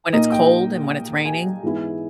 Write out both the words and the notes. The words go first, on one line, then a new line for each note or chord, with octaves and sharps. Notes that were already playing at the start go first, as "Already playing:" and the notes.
When it's cold and when it's raining?
A#2 A#3 D#4 D#5
G5
G#5
G#2 E3 G#3 B3 E4